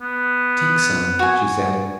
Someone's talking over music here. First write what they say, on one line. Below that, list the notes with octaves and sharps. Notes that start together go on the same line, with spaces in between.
"Take some," she said.
B3
F#4 G#5